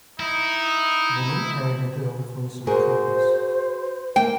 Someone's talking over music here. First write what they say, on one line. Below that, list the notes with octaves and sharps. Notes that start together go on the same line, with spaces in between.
A woman carrying a girl through some trees.
D#4 E4
F#4 G#4 A#4 C5
A#3 G5